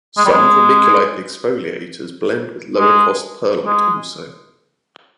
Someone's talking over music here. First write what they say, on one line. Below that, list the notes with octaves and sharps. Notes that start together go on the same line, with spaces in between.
Some vermiculite exfoliators blend with lower cost perlite also.
G#3
G3
G#3
G#3
G#3